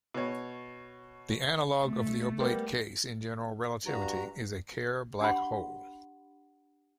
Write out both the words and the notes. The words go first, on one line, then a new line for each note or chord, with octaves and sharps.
The analogue of the oblate case in general relativity is a Kerr black hole.
B2 C#5
A3
G3 A#3 B3
G2 F#4 A#5
D4 G4 F#5 B5 C6